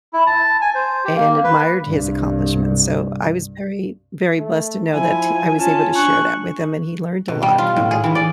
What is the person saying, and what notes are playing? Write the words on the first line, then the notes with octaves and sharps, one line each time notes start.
and admired his accomplishments, so, I was very very blessed to know that I was able to share that with him, and he learned a lot from it.
E4
A5
G#5
C5
G4
A#3
B4
C2 G2
A3
F3 E4 G#5
C#4 F4 G#5 A5
D4 C#6 F#6
B2
G3
F4
A2
G#4
E3
D5